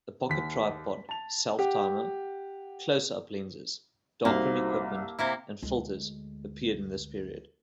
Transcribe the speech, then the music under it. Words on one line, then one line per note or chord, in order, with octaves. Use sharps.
A pocket tripod, self-timer, close-up lenses, darkroom equipment and filters appeared in this period.
D#2 B6
A5 F7
G4 F#5
C2 A#3 D#4 F#4 C5
A5 E6
C3 A#3 E4 E5
D2 G#3